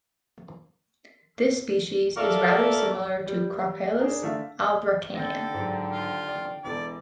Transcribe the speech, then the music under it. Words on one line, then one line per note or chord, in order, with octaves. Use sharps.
This species is rather similar to "Crocallis albarracina".
F#4 A4 A#4 D5 E5 F5
G3
D4 G#4 A#4
D3 A3 E5 F5
D#2 D3 A4 G5 G6 A#6
G#2 F#3
F4
D5
E1 E2 A4 D5